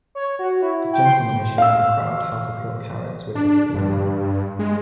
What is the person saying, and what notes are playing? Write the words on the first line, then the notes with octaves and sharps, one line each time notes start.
A gentleman is showing a crowd how to peel carrots with his peeler.
C#5
F#4
E4
G5
C6
F5 E6
D4
G2
G#3